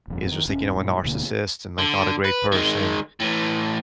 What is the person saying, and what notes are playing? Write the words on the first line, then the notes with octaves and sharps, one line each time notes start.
is just, like, you know, a narcissist, and, like, not a great person,
D#1 F2
C3 D#3
D#1 C#4
G2 A#2
D1 B2 D3 A#3
D3
B4
D#3 G#3
A2 E3